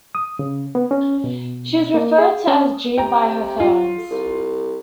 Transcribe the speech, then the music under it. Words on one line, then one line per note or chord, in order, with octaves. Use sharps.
She is referred to as "Jee" by her fans.
D#6
C#3
B3
C#4
B2
A#3
G#4
C#4
C3 G5 A#5
F4
C2